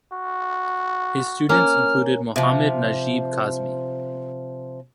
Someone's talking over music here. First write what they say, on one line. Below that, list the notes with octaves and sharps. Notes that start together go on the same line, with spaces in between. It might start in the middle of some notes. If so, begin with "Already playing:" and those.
His students included Mohammad Najeeb Qasmi.
F#4
A#3 C#4 F6
C3 F3